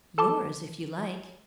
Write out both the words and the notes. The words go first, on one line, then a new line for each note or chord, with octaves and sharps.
"Yours, if you like."
A4 A5 C6 D6